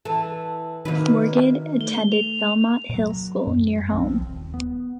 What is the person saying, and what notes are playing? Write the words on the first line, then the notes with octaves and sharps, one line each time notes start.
Morgan attended Belmont Hill School near home.
E3 A4
C3 D#3 F#3 A#3 D#4 B4
A3 G7
F7
A#2 F#3
F#2
B1 F3 C4
D#1 C2
B3